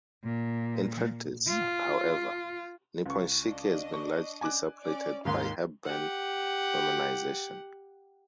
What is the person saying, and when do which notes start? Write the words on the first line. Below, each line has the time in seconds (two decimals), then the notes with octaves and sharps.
In practice, however, Nippon-shiki has been largely supplanted by Hepburn romanization.
0.24 A#2
1.48 F4
3.06 C#2 C#6
3.45 D4 D#5
3.93 C#6
4.41 G#5 D6 F#6
4.82 C#4 D5
5.25 D#2 G#2 D#3 F4 F5 C6
5.84 G4 F#5